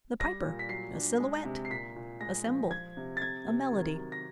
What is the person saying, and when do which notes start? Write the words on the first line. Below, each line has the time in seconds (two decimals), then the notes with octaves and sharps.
The Piper--a silhouette--a symbol--a melody.
0.20 G3 A#6
0.44 A#2
0.59 B6
0.69 F#3 C7
0.95 D4
1.20 G#3
1.45 C3
1.65 C7
1.70 A#2 B6
1.96 A#2
2.21 G#3 A#6
2.46 F3
2.71 F3 G#6
2.97 C3
3.17 A6
3.22 C3 G#6
3.47 C3
3.72 D#3
3.97 F#3
4.12 A#6